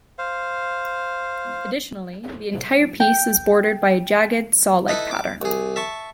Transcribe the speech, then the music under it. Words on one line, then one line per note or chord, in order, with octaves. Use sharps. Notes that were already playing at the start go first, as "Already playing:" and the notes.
Additionally, the entire piece is bordered by a jagged saw-like pattern.
C5 F5
G5
D#4 E4 A4 B4 D#5
D6
C2 G#4
E5 A5 C#6